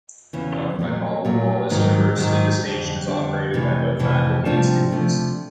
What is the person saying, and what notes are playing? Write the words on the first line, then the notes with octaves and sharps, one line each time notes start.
Owned by Baldwin Wallace University, the station is operated by both faculty and students.
E2 C#3 E3
A#2 F#3 A3
A#2 F#3 A3
G#2 D#3 F#3
G#2 D#3 F#3
F2 D3 G3
F2 D3 G3
F2 C3 E3 A3
F2 C3 E3 A3
C3 F3 A3 D4
C3 F3 A3 D4